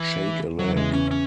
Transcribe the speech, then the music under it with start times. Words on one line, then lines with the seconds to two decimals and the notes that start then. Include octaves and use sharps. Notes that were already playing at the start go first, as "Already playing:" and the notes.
Shake a leg.
Already playing: E3
0.59 E2 C#3 E3 F#3
0.77 G#3
0.93 C#4
1.11 C#4